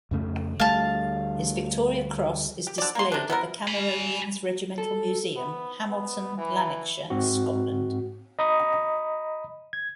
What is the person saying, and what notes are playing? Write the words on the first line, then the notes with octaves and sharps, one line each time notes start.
His Victoria Cross is displayed at the Cameronians Regimental Museum, Hamilton, Lanarkshire, Scotland.
F2 C#3 A3
D2 G3 A3 F5 A5
G4
D3 D5
A#3 C6
C3 D4
B3 E4 A#4
G#5 B5
A4
B3
B3
E3
G#2 C4 F#4
D#5 A#5 B5 D#6
G#6